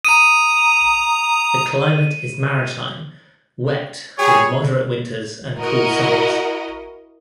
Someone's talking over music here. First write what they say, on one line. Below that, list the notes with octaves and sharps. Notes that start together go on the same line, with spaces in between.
The climate is maritime, wet, with moderate winters and cool summers.
A#5 D#6 D#7
G3 G4 G#4 C#5
E4 F#4 A#4 D#5